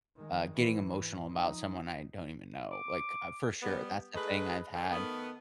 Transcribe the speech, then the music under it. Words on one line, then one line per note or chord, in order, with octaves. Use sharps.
uh, getting emotional about someone I don't even know. Like, for sure, that's the thing I've had
D#3 G#3
A2 E3
G#2
F3 D#4
D6
G3 B3
G#3 A3 D#4 B4 D#5
D3 F3
D#3 A3 B3